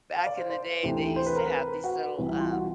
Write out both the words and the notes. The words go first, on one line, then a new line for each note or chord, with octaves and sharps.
Back in the day they used to have these little, um
F5
D5
C5
C5
D2 C3 E3
C5
B4
A#4
B4
F#4
C2 C3 E3
E4
F4
F#4